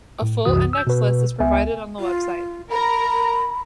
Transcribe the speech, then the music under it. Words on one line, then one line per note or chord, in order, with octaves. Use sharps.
A full indexed list is provided on the website.
A2
C2 F#2 C3 E3 F#4 D#6
E6 G6
B2 B4
C#2 B3 E5 G#5
F4
A#4 A#5 B5